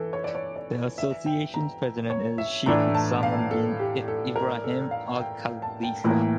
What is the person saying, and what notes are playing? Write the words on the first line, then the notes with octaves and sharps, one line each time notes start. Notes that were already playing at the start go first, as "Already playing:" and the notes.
The Association's President is Sheikh Salman Bin Ibrahim Al-Khalifa.
Already playing: E3 A4
C#5
D5
C#5
D5
E5
G5
A#5
C#5
E5
A2 E3 A3 D4 A#5
A5
F5
A4
G4
A4
A#4
A4
F5
G5
A5
G5
A2 E3 A#3